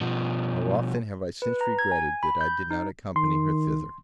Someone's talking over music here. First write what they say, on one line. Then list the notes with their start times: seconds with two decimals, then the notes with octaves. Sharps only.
How often have I since regretted that I did not accompany her thither!
0.01 B2 F3
1.42 B4
1.61 A#5
1.79 G#6
1.91 G#5
2.23 B5
2.41 G6
2.70 D#4
3.16 D#3 C6